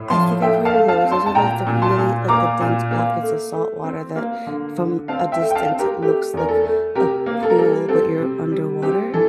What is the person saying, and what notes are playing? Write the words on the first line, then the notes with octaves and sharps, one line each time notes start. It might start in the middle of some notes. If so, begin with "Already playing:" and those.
I think I've heard of those, those are like the really like the dense pockets of saltwater that, from a distance, it looks like a pool, but you're underwater?
Already playing: A2
F3 A5 C6
A3 E5 G5
F5 A5
A3
F5 A5
C4
A5 C6
A5
A#2 G5 A#5
A#2
A5 C6
A#2
A#3 A#5 D6
A#2
A#3
A3
A3
C4
A#3
D3
D3
C4 F5 A5
E5 G5
A3
G5
F5 A5
C4
G4 A#4
A3 G4
E2 A#4
A4
A3
C3 G4 A#4
A#3
A4
A#4
G3 A4
C4 A4
C3
G3
C4 G4
E3 A4